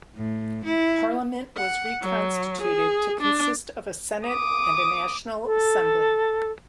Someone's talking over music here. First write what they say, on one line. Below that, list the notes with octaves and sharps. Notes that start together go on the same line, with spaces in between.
Parliament was reconstituted to consist of a Senate and a National Assembly.
A2
E4
F#5
F#3
G#4
D4
D6 D#6
A4